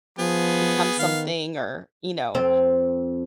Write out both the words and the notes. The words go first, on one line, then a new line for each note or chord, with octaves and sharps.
become something or, you know.
F3 B3 G#4
D#3 F5
F2 C4